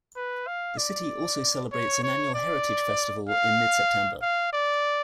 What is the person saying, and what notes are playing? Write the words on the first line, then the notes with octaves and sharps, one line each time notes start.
The city also celebrates an annual Heritage Festival in mid-September.
B4
F5
D5
C#5
C#5
D5
F5
F5
D5